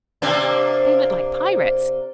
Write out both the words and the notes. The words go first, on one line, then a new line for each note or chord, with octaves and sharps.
"They look like pirates."
C3 A#3 D4